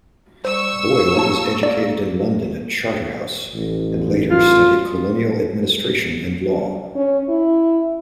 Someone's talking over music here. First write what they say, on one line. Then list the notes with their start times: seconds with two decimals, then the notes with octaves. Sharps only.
Boyle was educated in London at Charterhouse, and later studied colonial administration and law.
0.45 G3 C5 C#6 E6
1.15 A#3 C#5 A5
1.63 A#3 D5
3.54 A1
4.30 F4
6.96 C#4
7.29 E4